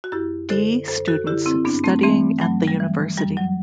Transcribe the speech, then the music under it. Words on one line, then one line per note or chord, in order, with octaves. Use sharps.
D. students studying at the university.
F#4
F#2 E4 G4
D3 A4 C5
F#2 A4 C5
F#4 A4
D3 E4 G4
C4 E4
G2 B3 D4
A3 C4
E3 A3 C4
G2 F#3 A3
G3
E3
F#2 G3
F#3